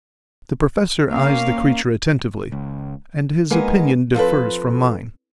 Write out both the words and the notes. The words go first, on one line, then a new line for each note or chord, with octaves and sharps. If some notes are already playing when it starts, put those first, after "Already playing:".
The Professor eyes the creature attentively, and his opinion differs from mine.
A#3 C#4 F5
C#2
G#3 A#3 B3 D#4 G#4
F3 C4 A4 B4